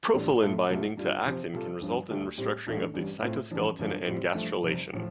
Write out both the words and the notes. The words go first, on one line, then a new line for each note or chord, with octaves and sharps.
Profilin binding to actin can result in restructuring of the cytoskeleton and gastrulation.
A1 A2 G3 D4
A2 A3 F4 A4
C2 C3 A3 F4 A4
G2 G3 D4 F4
C3 F3 C4
C3 G3 F4 A4
G1 G2 D3 F3
D2 D3 A3 D4 G4
A2 G3 C4 G4
A1 A2 A3 D4 A4
A1 G2 G3
A2 A3 C4 F4
A1 G2 F3 D4
G1 F2 F3 D4 F4
A2 G3 C4
G2 F3 A3
F1 F2 C3 G3 C4
A2 F3